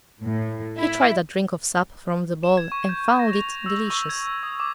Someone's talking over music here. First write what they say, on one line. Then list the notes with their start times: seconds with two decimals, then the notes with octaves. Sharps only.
He tried a drink of sap from the ball and found it delicious.
0.22 A2
0.78 E4
2.43 E7
2.57 G#6
2.72 C#6
2.89 G6
3.19 A#6
3.33 F7
3.66 E6
3.90 C#6
4.09 G#6
4.43 D#6
4.60 D6